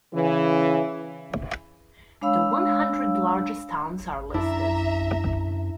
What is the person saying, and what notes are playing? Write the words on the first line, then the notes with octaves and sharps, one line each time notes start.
The one hundred largest towns are listed.
C#3 E3
G#3 D4 C#5 F5 B5 E6
F#2 D4 E4 D5 E5 A#5